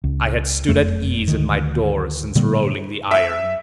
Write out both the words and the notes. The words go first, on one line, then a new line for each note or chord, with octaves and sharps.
I had stood at ease in my door since rolling the iron.
C#2
F#1 F2 A3
D2 D#3
A#2 D3 G3 A#3
E5